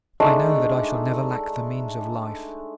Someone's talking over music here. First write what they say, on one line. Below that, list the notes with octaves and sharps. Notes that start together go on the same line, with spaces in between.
"I know that I shall never lack the means of life!"
G#3 A3 D4 D#4